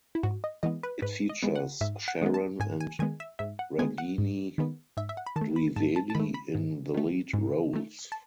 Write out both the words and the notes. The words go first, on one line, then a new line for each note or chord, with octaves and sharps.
It features Sharan and Ragini Dwivedi in the lead roles.
E4
G#2 F#4
D#5
E3 G#3 B3 D#5
B4
G#2 B4
D#5
E3 G#3 B3
F#5
G#2 E5
F#5
D#3 G#3 B3
A5
G#2 G#5
G#5
D#3 G#3 B3 G#5
E5
G#2 E5
F#5
D#3 G#3 B3 G#5
F#5
G#2
D#3 G#3 B3
G#2 E5
E5
F#5
B5
D#3 A5
A3
B5
G#2 A5
A5
A5
D#3 A3 B5
B5
G#2
D#3 A3
G#2
D#3 A3
A5